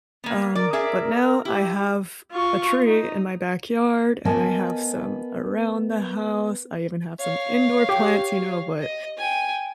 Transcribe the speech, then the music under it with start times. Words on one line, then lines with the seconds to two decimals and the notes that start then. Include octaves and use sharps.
Um, but now I have a tree in my backyard, and I have some around the house. I even have some indoor plants, you know, but
0.24 A#3 B3
0.55 A#4 D5
0.73 G#4 D5 E5
1.45 E4 G4
2.32 F4 C#6
2.86 D#4
4.25 B3 A#4 D#5 G#5 A5
7.20 C#5 F5
7.89 G4
8.81 D#5
9.17 G5 G#5